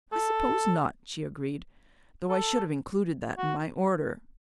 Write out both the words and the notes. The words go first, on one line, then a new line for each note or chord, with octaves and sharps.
'I suppose not,' she agreed, 'though I should have included that in my order.'
A4
A4
F#4